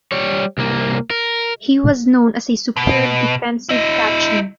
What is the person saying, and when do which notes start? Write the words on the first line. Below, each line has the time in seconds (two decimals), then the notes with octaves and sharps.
He was known as a superb defensive catcher.
0.12 G3 C#5
0.58 C2 A#3
1.10 A#4
2.77 B2
3.69 E4 D#5